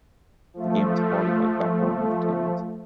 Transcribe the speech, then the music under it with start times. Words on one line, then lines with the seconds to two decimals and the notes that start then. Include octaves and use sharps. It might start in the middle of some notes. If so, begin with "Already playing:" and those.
The game was ported by Backbone Entertainment.
0.54 F3 A3